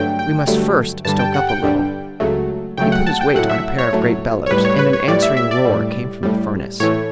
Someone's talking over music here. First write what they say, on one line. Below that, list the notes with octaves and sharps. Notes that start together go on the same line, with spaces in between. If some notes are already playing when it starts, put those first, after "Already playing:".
"We must first stoke up a little." He put his weight on a pair of great bellows, and an answering roar came from the furnace.
Already playing: G2 D3 F#3 A3 G5
G5
G2 D3 F#3 A3
G2 D3 G3 A5
G5
F#5
G5
G2 D3 G3
C#2 C#3 F#3 A3
C#2 C#3 F#3 A3 G5
F#5
A5
G5
A2 F#3 A3 F#5
E5
C#5
A2 F#3 A3
C#5
A2 G3 B4
C#5
B4
C#5
A2 G3 D5
E5
E5
D5
A2 G3
A2 G3
A2 E3 A3 C#5